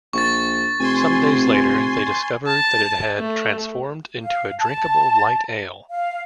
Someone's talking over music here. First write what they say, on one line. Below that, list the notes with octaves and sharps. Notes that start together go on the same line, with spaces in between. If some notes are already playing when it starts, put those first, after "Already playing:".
Some days later they discovered that it had transformed into a drinkable light ale.
A#1 C#6 A6
F1 G#5 C6
A5
A3
F5
A5
F5